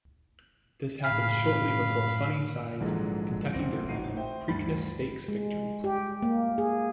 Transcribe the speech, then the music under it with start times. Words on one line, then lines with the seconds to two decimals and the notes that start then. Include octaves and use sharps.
This happened shortly before Funny Cide's Kentucky Derby and Preakness Stakes victories.
1.04 F#2 A2 C#3 F5 B5 F6
2.80 A#1 G#2 D3 E3 F#3 G#3
3.53 D#1 E2 C4 A#6 D7
3.89 A1 D#4 F#4 C7 D#7
4.17 C5 E5 G5
4.48 D2 G2 B5 A6
5.28 G#3
5.84 G4
6.22 A#3
6.58 G#4